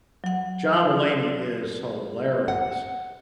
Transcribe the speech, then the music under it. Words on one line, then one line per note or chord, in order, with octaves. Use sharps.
John Mulaney is hilarious.
F#3 F#5
F#5